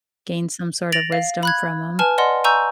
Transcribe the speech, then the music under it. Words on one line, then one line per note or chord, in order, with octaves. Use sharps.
gain some sort of wisdom from 'em.
A6 A#6 D7 F7 F#7
F5
B5 F#6 G#6
B4 G#5 A5 F6
D5 D#5 F#5 C6
G#5 A#5 C#6 E6 G6